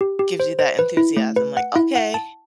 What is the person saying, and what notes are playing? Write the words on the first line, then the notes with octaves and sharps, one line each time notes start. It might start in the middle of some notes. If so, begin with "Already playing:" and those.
gives you that enthusiasm, like, "Okay,
G4
G4
C5
C5
B4
E4
A3
B4
F#5
E4
F#5
A5